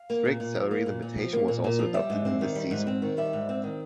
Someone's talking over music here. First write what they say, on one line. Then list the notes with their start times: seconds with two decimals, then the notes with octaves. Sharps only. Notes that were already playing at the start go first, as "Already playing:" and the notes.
Strict salary limitation was also adopted in this season.
Already playing: F5
0.10 A#3
0.25 A#2
0.40 A#2
0.55 F3
0.71 A#3
0.86 A#2
1.02 A#2
1.18 F3
1.33 A#3
1.48 A#2
1.64 A#2
1.79 F3
1.94 G3 D5 E5
2.10 G#2
2.25 C4
2.41 D#3
2.55 G3
2.71 G#2
2.87 C4
3.02 D#3
3.17 G3 D5 E5
3.33 G#2
3.49 C4
3.63 D#3